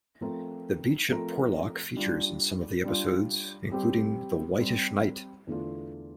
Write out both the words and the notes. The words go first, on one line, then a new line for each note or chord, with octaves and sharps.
The beach at Porlock features in some of the episodes including The Whitish Knight.
F3 A3 C4 F4 A#4
F3 A3 C4 F4 A#4
G3 D4 F4
G3 D4 F4
G3 C4 G4
G3 C4 G4
E2 D3 A3 D4 F4